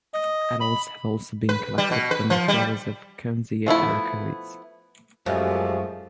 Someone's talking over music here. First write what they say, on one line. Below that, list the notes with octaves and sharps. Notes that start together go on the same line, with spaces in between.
Adults have also been collected from the flowers of "Kunzea ericoides".
D#5
B5
B4
G3
B2
B4
F3
G3
F3 A3 B3 E4
F#2 F3 G#3 A3 G4